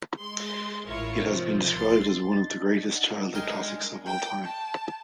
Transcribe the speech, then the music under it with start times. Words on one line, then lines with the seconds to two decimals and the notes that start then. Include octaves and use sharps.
It has been described as one of the greatest childhood classics of all time.
0.17 G#3 C6
0.85 A1 E4 F4 A#4 C#5 F5
1.24 C3 D#3 F3 C4
1.69 C2 C6 A6
2.32 D4 D#4 A6
2.95 F#5
3.35 G#3 A#4 D#5 G5
4.05 G5
4.44 A5